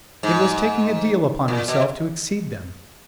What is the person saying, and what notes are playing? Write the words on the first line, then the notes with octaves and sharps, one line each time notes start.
It was taking a deal upon himself to exceed them.
G#2
A#2
B2